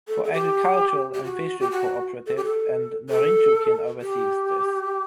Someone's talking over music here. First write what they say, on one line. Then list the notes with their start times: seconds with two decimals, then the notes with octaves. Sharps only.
For agricultural and fishery co-operative and Norinchukin, oversees this.
0.08 A4
0.24 A4
0.33 G4
1.14 G4
1.24 F#4
1.60 G4
1.71 F#4
2.27 A4
2.37 G4
2.45 A4
3.10 A4
4.01 G4